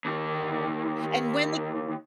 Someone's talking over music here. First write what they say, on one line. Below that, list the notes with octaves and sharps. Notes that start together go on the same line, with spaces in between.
There are, and when they
D#2 D#3